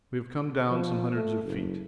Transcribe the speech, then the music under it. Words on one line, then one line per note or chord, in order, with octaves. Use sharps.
We have come down some hundreds of feet.
F3
A3
F#1